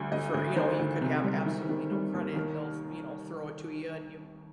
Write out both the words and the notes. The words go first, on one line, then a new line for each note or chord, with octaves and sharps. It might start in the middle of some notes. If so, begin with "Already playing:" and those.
for, you know, you could have absolutely no credit, and they'll, you know, throw it to ya, and you
Already playing: D2 G3
D2 D#5
D2
D#3 C5
D2
C3
G3
D#3
D#3
G3
D#2
D#3 A#4